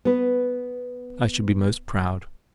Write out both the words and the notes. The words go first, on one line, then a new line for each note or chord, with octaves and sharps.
I should be most proud.
B3 B4